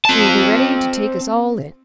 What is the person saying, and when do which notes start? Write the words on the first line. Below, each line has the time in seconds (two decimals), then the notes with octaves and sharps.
She will be ready to take us all in.
0.05 C4 A5